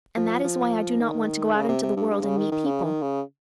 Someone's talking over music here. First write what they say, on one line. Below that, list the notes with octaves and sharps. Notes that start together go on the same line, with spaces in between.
And that is why I do not want to go out into the world and meet people.
F3
F3
D#3
C#3
C3
C3
G2
G2
C#3
D#3
D#3
C#3
D#3
C#3